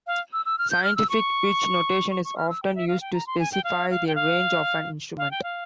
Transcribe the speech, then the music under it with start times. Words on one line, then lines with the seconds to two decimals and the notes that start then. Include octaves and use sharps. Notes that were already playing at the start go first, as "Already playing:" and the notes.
Scientific pitch notation is often used to specify the range of an instrument.
0.07 F5
0.33 E6
0.46 E6
0.58 F6
0.70 G6
0.84 F6
0.96 E6
1.09 C#6
2.11 C#6
2.25 C#6
2.37 F6
2.49 E6
2.63 G5
2.76 E5
2.88 F5
3.01 G5
3.13 A#5
3.27 C6
3.39 G#5
3.52 G5
3.64 F5
3.90 F5
4.07 G5
4.15 F5
5.18 F5
5.31 G5
5.43 F5